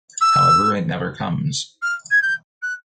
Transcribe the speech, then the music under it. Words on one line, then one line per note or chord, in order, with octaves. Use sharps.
However, it never comes.
E6
F6
G#6
G6
F#6